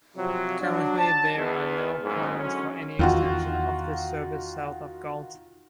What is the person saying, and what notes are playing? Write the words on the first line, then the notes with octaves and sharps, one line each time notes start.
Currently there are no plans for any extension of this service south of Galt.
C3 F3 F#3
F#3 D4
A5
E2
F#1 G#2
D3 F#3 G#3 C#4
E2 D#3 F4 F#4